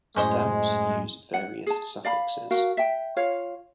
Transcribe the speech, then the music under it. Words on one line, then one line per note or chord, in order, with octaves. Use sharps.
Stamps use various suffixes.
F#2 A2 G#3 C#4 C5 D#5
F#5
G#4 A5
D5 F5 B5
F#4 A#4 F5
E5 G5
F4 C#5 F5